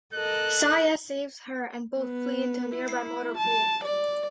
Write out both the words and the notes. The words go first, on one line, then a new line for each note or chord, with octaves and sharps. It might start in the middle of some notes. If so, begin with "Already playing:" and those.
Saya saves her and both flee into a nearby motor pool.
A4 A#4 D#5 F#6
B3
E4
A5
D5